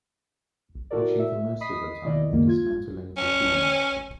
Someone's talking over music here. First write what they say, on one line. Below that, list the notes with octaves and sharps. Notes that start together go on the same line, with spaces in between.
Watching for most of the time the dismantling of the scenes.
E4 F#4 A4 A#4 D5
E5
D#5 B5 D#6 B6 C7
B2 D#3 E4 D5 D#5
C#2 F#2 D#3 A#3
F4 G#6
C#4